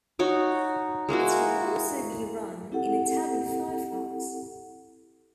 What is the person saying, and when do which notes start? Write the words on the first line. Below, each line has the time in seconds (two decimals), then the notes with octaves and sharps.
It can also be run in a tab in Firefox.
0.19 D#4 F#4 C#5
1.09 G#3 A#3 E4 F#4
2.72 C4 E4 G4 A4 F#5